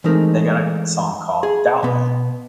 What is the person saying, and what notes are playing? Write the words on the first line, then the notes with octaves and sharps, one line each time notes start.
they got a song called Doubt Me.
E3 G#3 A3 C4 D#4 A#4
G#4
B2 B3